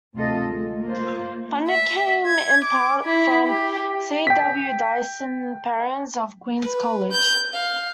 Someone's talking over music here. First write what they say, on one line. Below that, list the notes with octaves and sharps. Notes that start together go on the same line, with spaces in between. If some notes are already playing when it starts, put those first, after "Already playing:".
Funding came in part from C. W. Dyson Perrins of Queen's College.
D2 C3 F4 A4 D#5
G#3
A#3 F4 C5
E5
G#6
D6
E4
G4
G5 B6
B4
G6
F5